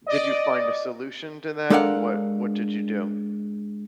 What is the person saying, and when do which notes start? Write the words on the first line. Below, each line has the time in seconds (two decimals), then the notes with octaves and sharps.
did you find a solution to that? What what did you do?
0.06 D5 D#5
1.70 G#3 D4 A4 A#4 F5 F#5